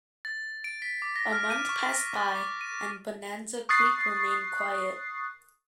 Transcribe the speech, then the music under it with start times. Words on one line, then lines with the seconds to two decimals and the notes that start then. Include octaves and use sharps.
A month passed by, and Bonanza Creek remained quiet.
0.25 A6
0.64 D7
0.82 B6
1.02 D6
1.16 A#6
1.33 F6
1.50 D#7
1.69 C#6
1.89 A#6
2.16 A6
2.35 D6
2.61 D#7
3.69 C#6 D#6 F#6 A6 C7